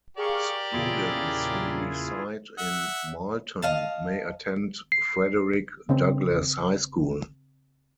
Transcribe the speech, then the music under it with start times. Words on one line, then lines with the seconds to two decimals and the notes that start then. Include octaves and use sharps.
Students who reside in Marlton may attend Frederick Douglass High School.
0.17 G4 G#4 A#4 D5 F5 C#6
0.73 E2 A#2 C#3 E4 F4 G#4
2.58 E5 F#5
3.62 D#5 F5 A5
4.92 C7
5.89 C#3 C4